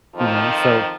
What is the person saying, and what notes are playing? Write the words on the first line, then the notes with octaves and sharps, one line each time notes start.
You know? So
F2 D#3 F3